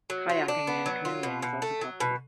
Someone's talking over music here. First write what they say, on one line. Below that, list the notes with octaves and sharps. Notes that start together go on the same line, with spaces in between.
Kayaking and canoeing is also popular.
F#3
F4
D4
B3
F#3
F4
B2
B2
A3
F#3
B2